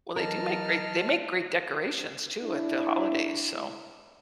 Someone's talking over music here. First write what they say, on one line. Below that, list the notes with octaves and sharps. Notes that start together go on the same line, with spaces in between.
Well, they do make great they make great decorations too at the holidays, so,
E3 F#3 A#4 D#5 A5 F6
D4 E4